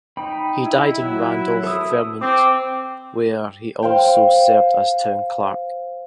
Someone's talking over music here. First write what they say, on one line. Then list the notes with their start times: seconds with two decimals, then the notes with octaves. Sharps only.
He died in Randolph, Vermont, where he also served as town clerk.
0.17 D#4 G5 B5
0.64 E4
1.02 F#3
1.64 A4 D#6
2.21 C4 D6
3.83 C5 F5 G5